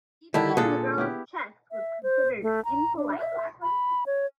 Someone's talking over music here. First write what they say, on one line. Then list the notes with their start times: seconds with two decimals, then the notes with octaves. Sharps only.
Peeping in the girl's chest was considered impolite.
0.34 D3 D#3 G3 E4 A5
0.57 A#2 D3 G#4 A4
0.98 B3 E4 G4
1.71 E5
2.03 C5
2.42 A3
2.65 A#5
2.96 D4
3.19 E5
3.62 B5
4.06 C#5